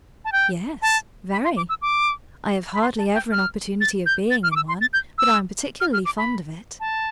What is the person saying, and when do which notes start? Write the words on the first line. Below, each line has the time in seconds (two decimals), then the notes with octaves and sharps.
"Yes, very; I have hardly ever an opportunity of being in one; but I am particularly fond of it."
0.25 A5
0.32 G5
0.82 A5
1.32 B5
1.44 C6
1.57 D6
1.69 E6
1.82 D6
2.74 B5
2.82 C6
2.98 A5
3.14 G5
3.32 F6
3.81 A6
4.06 G6
4.31 A6
4.43 F6
4.52 D6
4.56 E6
4.68 C6
4.81 A6
4.93 G6
5.18 E6
5.81 F6
5.93 F6
6.05 D6
6.18 B5
6.80 A5